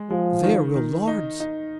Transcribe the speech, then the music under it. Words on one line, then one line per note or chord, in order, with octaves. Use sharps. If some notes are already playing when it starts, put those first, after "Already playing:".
There were lords!
Already playing: G#3
F3 G#3
D#3
D#3
D#4
D#4